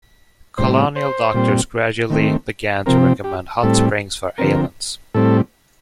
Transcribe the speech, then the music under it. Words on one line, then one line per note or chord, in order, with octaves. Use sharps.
Colonial doctors gradually began to recommend hot springs for ailments.
A2 G3 C4 C5
C5
A#2 G3 C4
D#3 A3 C4
C3 F3 C4 A#4
G4
A2 G3 C4 A4
D3 F3 C4 A#4
A2 G3 C4 A4